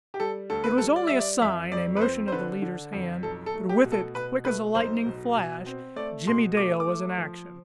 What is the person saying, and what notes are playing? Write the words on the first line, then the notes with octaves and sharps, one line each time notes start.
It was only a sign, a motion of the leader's hand--but with it, quick as a lightning flash, Jimmie Dale was in action.
G4
G3 A4
D2 A4
B4
A4
G3
D5
G3 E5
D5
F2 E5
F2 D5
B4
C4 C5
C5
D3 B4
D3
F2
B1 A4
A4
A3
G4
B2
A4
B2 B4
A3 B4
B1 C5
B2
B2
C4
A3 D5
B2 C6
A3 D6
D6
A3
F3